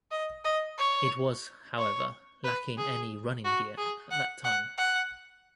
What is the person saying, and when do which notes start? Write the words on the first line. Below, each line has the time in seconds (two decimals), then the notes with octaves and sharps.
It was however lacking any running gear at that time.
0.11 D#5
0.44 D#5
0.78 C#5
1.78 C#5
2.44 B4
2.78 G#4
3.44 F#4
3.78 G#4
4.11 F#5
4.44 F#5
4.78 F#5